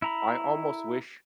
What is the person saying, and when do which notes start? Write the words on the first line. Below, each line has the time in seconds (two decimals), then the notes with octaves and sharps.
I almost wish,
0.02 E4 A#5 B5